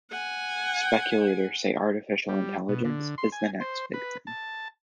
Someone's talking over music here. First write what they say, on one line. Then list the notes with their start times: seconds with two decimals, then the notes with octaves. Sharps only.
Speculators say artificial intelligence is the next big thing.
0.10 F#5 G#5
2.29 G3
2.68 B2
2.85 D3
3.18 C6
3.32 G#5
3.60 C5
3.94 B4
4.27 A5